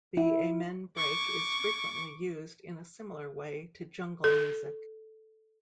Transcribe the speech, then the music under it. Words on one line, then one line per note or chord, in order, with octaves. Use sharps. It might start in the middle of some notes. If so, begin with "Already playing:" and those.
The amen break is frequently used in a similar way to jungle music.
E4
C#6 D6
A4